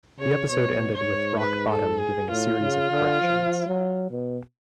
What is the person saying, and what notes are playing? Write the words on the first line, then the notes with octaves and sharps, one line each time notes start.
The episode ended with Rock Bottom giving a series of corrections.
C#3 C#5
B2 C#5
G#2 C#5
B4
A4
G#4
A2 F4
C#3
D3
F3
F#3
B2